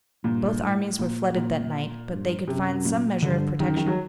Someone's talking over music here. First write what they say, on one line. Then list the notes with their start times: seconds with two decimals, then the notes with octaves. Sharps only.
Both armies were flooded that night, but they could find some measure of protection.
0.24 G2 A#2
0.62 A2
0.99 A#2
1.36 A#2
2.10 G2
2.48 F#2 C3
2.85 A#2
3.22 G2 D3
3.60 F#2 D#3
3.77 D#3
3.87 F#3